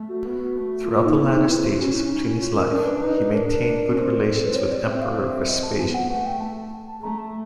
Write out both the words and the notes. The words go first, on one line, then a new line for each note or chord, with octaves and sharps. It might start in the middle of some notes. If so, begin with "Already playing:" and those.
Throughout the latter stages of Pliny's life, he maintained good relations with Emperor Vespasian.
Already playing: A3
F#4
B3 F#4
F#4
A3
A#3 F4
F4
D#4
B3 E4
D#4
C4 E4
C#4 F#4
E4
D#4
E4
F4
A#4
D4 A#4
B4
D#4 B4
B4
D4 A#4
A#4
C4
A4
A4
B4
C#5
D5
C4 E5
F5
E5
D#5
A5
B3 G#5
F#5
A3 F#5
G5
A5
A5
A5
A3 A#5
A5